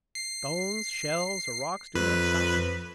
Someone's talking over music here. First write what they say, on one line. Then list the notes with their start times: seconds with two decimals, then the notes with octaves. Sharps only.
Stones, shells, or rocks do not stop it.
0.15 C7
1.95 F2 B4